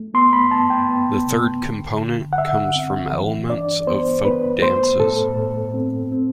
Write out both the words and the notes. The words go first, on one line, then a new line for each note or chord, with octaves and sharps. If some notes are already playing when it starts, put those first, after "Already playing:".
The third component comes from elements of folk dances.
Already playing: A3
B3 C6
B5
B3 A5
G5
B3
C3
D3
D3
F#5
D3 E5
C4
E3
D4 D5
B3 C5
B3 B4
A3 C5
A2 A4
A2
C4
C4